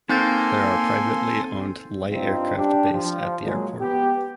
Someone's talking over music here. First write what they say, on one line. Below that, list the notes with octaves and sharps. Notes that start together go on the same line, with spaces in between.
There are privately owned light aircraft based at the airport.
A#3 C4 D#4 A4 G#5 C6 G6 A6
G2 C4 D#4 F4
D4 G4
F3
A#2 F#3 G#3
B3 G4